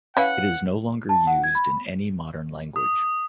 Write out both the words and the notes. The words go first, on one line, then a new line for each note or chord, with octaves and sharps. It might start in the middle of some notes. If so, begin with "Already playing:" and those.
It is no longer used in any modern language.
C#4 E4 B4 F5 F#5
A5
F#5
G#6
B5
D#6